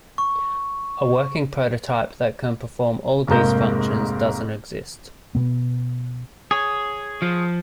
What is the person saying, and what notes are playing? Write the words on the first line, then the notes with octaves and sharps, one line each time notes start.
A working proto-type that can perform all these functions doesn't exist.
C#6
F1 G#2 G#3 A#3 A#4 G6
B2 B3
G#4 C#5
F3